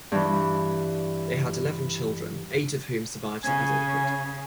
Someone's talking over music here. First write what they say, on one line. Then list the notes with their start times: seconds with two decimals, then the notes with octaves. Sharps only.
They had eleven children, eight of whom survived to adulthood.
0.12 G2 E3
3.44 C#3 G#5